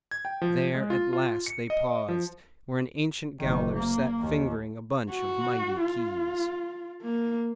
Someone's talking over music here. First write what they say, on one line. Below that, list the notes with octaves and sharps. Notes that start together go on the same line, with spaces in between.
There at last they paused, where an ancient gaoler sat fingering a bunch of mighty keys.
G#6
G5
F3
G#3
F4
F4
C#7
D#5
F3
F#1 D#3
A#3
D#2
F#4
F4
A#3